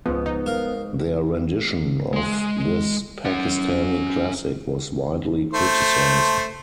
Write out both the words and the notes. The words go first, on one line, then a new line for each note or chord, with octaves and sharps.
Their rendition of this Pakistani classic was widely criticized.
C#2 G#2 F3 B3
D#4
A#4 F5
G#3 C6
C#4 F#5
A3 C5